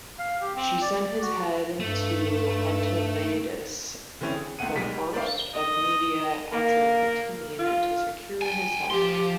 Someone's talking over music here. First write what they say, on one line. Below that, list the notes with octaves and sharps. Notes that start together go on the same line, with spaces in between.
She sent his head to Artavasdes I of Media Atropatene to secure his help.
F5
G4
C4
D5
F#4
G2 A3
D3 E3 C4 C#4 E4
G#4
C#2 A3 F#5 D#7
B1 G3 G#3 D#4 B6
G3
D4 A#4 C5 D5 E5 F5
D#5
A#3
F4
G5 G#5
F3 G4 C6